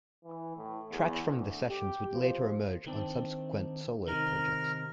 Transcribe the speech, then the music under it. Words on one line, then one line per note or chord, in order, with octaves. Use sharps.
Tracks from the sessions would later emerge on subsequent solo projects.
E3
A2
E2
D2
G4
F3
D#3 C4 D4
C3 D#3 A#4 F6